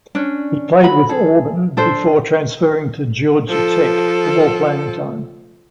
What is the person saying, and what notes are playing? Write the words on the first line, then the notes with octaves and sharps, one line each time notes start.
He played with Auburn before transferring to Georgia Tech for more playing time.
C#4 D4
F#4 B5
G#4 A4
D4 A4 C5
F3 A4